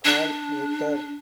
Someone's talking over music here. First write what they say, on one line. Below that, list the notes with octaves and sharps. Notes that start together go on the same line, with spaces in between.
Carl Ritter.
D4